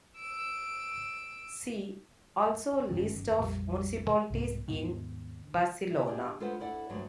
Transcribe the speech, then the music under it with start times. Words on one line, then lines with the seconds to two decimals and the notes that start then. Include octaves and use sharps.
See also List of municipalities in Barcelona.
0.18 E6 D7
2.90 G1 F#2 D#3 C#4
3.38 A#1 F2 F3 G3
4.31 C2 G#2 B2
4.68 D#2 G#2 B2 D#3
5.90 E4 B4
6.06 D4 G4 G#4
6.40 G#3 F4 A4 B4 C5 F#5
6.60 E4 A4 D5 F#5
6.90 D2 G2 D3 F#3 G#3